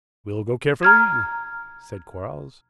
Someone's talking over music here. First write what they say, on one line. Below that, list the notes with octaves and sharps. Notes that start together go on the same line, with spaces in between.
"We'll go carefully," said Quarles.
A#5 F6 G#6